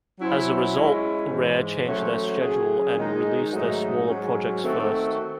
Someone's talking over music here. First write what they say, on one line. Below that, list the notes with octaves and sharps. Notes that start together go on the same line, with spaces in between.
As a result, Rare changed their schedule and released their smaller projects first.
F#3 C#4 E4 C5
G#3 C#4 E4
G#2 E3 G#3
F#3 A3 C#4 F#4 C5
C#3 F#3 C#4 G#4
D#3 G#3 D#4 G#4
G#2 F#3 A3 D#4
G#2 F#3 C#4
D#3 A3 C4 F#4 A4